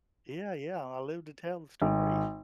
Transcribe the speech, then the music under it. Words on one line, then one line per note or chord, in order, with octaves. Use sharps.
Yeah, yeah. I lived to tell the story
G#1